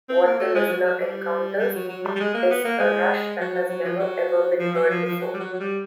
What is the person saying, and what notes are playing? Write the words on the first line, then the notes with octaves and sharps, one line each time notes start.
What the listener encounters is a Rush that has never "ever" been heard before.
C4
A#3
A3
G#3
F#3
F#3
G3
G3
F#3
F#3
G3
G3
G#3
A#3
B3
A#3
G#3
F#3
F#3
F#3
F3
F#3
F3
F#3
F3
F3
F#3
G3
F#3
F#3
G3